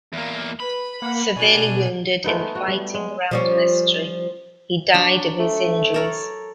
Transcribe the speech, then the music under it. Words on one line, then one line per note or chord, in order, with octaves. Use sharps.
Severely wounded in the fighting round Mestre, he died of his injuries.
E2 A#3
B4 B5
A#3 F#5
B2 D4 G#5
G#3 A3 B3 D#4
A3
F#4
G3
G#3
F3 G3 C#4
F#3 D4
A3
A4 A#4 C#5